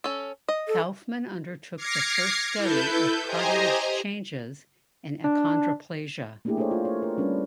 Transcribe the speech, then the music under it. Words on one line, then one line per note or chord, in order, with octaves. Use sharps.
Kaufmann undertook the first study of cartilage changes in achondroplasia.
C#4 A4
D#5
A4
D6 F6 G#6 A#6 C7 C#7
E4 A4 B4 G6
G4 C5 D#5 G#5 A#5
D4
A3 A#3 D4 E4 G4 G#4
D4 G4 A4 A#4 C5 C#5
F4 G4
C#5
A#4
G3 C#4 D4 A#4 B4